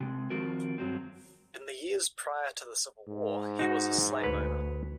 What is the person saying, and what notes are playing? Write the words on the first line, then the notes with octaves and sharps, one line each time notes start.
In the years prior to the Civil War, he was a slaveowner.
C3 G#3
D#3 F3 C4 F4 F#4 A#4
G2 F#3 C4
G#2
D#4 F#4
D2 B4 C#5